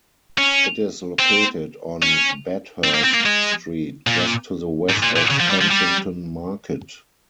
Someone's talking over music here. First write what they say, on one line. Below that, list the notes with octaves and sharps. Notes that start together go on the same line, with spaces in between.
It is located on Bathurst Street just to the west of Kensington Market.
C#4
C4
C#4
C4
A#3
C4
A#3
G#3
A#2
G#2
A#2
A#2
C#3
F3
G3
F3
G3